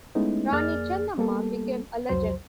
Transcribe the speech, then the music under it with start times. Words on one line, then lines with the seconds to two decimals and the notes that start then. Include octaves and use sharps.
Rani Chennamma became a legend.
0.15 G#3 A3 B3 C#4 D#4 E4
0.53 F2 A#3 G#4 D5 F6 A6
1.18 G3 A#3 B3 A4
2.09 C2 F2 F#3 C5